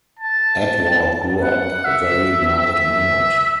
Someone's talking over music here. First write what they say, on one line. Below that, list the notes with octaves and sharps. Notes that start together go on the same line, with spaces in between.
Edward grew up very mild-mannered.
A5
F#5
E5
E5